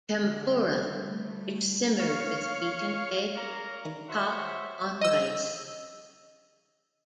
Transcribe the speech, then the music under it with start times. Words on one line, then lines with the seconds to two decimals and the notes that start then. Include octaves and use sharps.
Tempura which simmered with beaten egg and topped on rice.
0.21 D3 G3
1.04 G3 A3
1.99 C#5 F5
3.36 C#4 A#4 D5 F5 A#5
4.09 F#4 C5 C#5 E5
5.01 D#5 E6